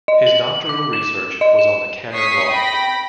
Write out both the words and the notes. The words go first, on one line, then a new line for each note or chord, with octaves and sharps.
His doctoral research was on the Canon Law.
D#5
F#7
D6
E7
D#5
E7
C#5 C#6 D#6 B6 C7
G5 B5 A#6